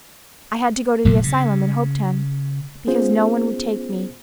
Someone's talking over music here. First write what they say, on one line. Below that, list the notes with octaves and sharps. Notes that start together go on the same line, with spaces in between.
I had to go to the asylum at Hopeton, because nobody would take me.
F1 A#2 F#3 G3
C#3
B3 C#4 F4 G#4 C5